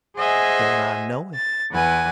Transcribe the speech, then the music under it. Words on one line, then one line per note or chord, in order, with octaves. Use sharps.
Don't I know it!
G#4 C5 D#5 E5 F#5 G#5
A6
E2 E3 B4 F#5 G#5